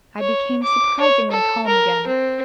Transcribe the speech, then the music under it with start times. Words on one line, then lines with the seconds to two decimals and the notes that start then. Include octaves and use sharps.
I became surprisingly calm again.
0.19 C#5
0.63 D6
1.01 C#5
1.31 A4
1.67 A#4
2.07 C4